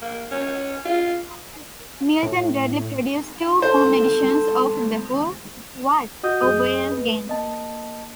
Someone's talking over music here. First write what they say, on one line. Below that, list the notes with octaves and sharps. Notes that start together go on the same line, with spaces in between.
Milton Bradley produced two home editions of "The Who, What, or Where Game".
A#3
C#4
F4
A2
A4 C5
F#4 D#5 D#6 G6
F#2 G#4 D#5 D#6 G6
B4
A#3 D#5 A5